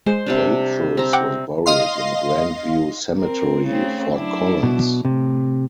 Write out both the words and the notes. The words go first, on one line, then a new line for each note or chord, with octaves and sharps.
Watrous was buried in Grandview Cemetery, Fort Collins.
G#3 C5
C3 G3 D4
C4 A#5
F#5 G5 D6
D#5 F5 C6
C4 A#4
C#3 A3 C4
F#3 D4 E4
B2
A2 C3